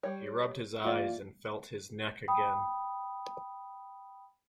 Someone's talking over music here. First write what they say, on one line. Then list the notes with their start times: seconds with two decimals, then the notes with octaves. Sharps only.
He rubbed his eyes and felt his neck again.
0.03 G3 C#5
0.85 E3 A#3 F4 D5
2.28 G5 B5 D#6